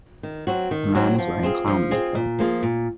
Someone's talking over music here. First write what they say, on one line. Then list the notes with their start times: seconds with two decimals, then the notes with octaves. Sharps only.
A man is wearing clown makeup.
0.23 D#3
0.47 F#3 C4 F#4
0.71 D#3
0.95 F#3 C4 F#4
1.18 F3
1.43 C4 F4 G#4
1.68 F3
1.91 C4 F4 G#4
2.15 A#2
2.39 F3 A#3 F4 G#4
2.63 A#2